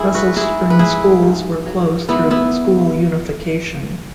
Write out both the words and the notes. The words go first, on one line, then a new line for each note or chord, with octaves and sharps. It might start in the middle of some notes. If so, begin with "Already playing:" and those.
Russell Springs schools were closed through school unification.
Already playing: G#2 E4 G#4 C#5
F#4 B4
G#2 E4 G#4
B4
G#2 E4 G#4
G#2
F#3
G#2 B3 E4
B3 E4